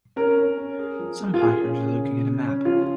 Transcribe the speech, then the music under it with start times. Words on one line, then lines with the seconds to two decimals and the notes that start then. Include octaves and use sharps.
Some hikers are looking at a map.
0.16 C#4 A#4
0.37 C#4
0.58 C#4
0.79 G#4
0.99 F3
1.20 A#3
1.34 F4
1.41 F3 G#4
1.62 C#4
1.82 C#3
2.03 C#3
2.24 C#3
2.45 C#4
2.65 F3 F4